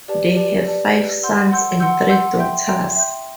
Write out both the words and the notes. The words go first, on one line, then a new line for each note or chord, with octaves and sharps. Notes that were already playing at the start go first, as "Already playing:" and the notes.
They have five sons and three daughters.
G4 B4 D5 A5
G4 B4 D5 A5
G4 B4 D5 A5
G4 B4 D5 A5
F#5 C6 E6 G6
F#5 C6 E6 G6
F#5 C6 E6 G6
F#5 C6 E6 G6
E5 G5 C6 G6
E5 G5 C6 G6
E5 G5 C6 G6